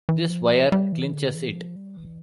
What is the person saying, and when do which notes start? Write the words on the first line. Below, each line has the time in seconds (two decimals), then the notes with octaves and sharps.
This wire clinches it.
0.09 E3
0.30 F3
0.72 G3
0.92 E3
1.13 D3
1.35 E3
1.55 F3
1.76 G3
1.97 E3